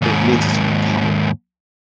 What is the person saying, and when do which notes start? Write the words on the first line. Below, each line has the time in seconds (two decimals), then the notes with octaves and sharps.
It means it's public,
0.02 D#2 G#2